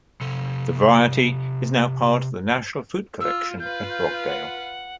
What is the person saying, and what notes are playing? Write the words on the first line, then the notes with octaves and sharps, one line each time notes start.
The variety is now part of the National Fruit Collection at Brogdale.
C3 A4
F4 E6
F4 B4 F5 G6
G6
F#5